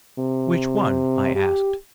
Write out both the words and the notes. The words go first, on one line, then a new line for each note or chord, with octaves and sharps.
"Which one?" I asked.
C3
G4